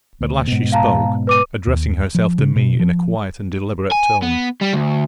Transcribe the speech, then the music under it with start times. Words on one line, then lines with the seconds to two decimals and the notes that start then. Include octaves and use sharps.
At last she spoke, addressing herself to me in a quiet and deliberate tone.
0.20 D2
0.47 G#2 B2
0.72 F5 A5 A#5
1.27 B4 D6 D#7
1.67 D#2
2.15 F3
2.38 C#3
2.56 B2
2.79 F3
3.91 G#5
4.22 B3
4.61 G3
4.73 D2